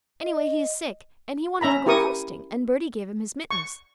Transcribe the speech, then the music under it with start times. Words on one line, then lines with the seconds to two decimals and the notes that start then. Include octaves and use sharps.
Anyway, he is sick, and he wanted to go coasting, and Bertie gave him his mittens.
0.24 D#5
1.61 C#4 E5 A#5 B5
1.86 E4 G4 A#4 C#6 D#6
3.51 C#6